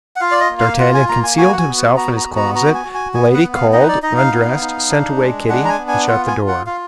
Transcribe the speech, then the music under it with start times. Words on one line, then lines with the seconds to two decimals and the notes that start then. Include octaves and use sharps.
D'Artagnan concealed himself in his closet; Milady called, undressed, sent away Kitty, and shut the door.
0.16 F#5
0.20 F4 F5
0.31 D5
0.40 D#5
0.50 A#3
0.60 F5
0.79 F4 F#5
0.94 G#5
1.09 A#3 A#5
1.24 G#5
1.38 F#4 G#5
1.53 F#5
1.58 G#5
1.68 B3
1.78 F#5
1.97 F#4 A#5
2.17 A#5
2.26 B3
2.36 A#5
2.55 F#4 A#5
2.75 G#5
2.85 F#4
2.94 G#5
3.14 B3 G#5
3.34 F#5
3.43 B3
3.54 F5
3.73 D#4 D#5
3.81 B4
3.88 D5
4.03 D#4 D#5
4.17 F5
4.32 B3
4.61 D#4
4.90 D4
5.20 G#3
5.49 D4 F#5
5.65 A#5
5.69 G#5
5.79 B3
5.88 G#5
6.08 F4 F#5
6.27 G#5
6.37 F4
6.48 F#5
6.67 F4 F5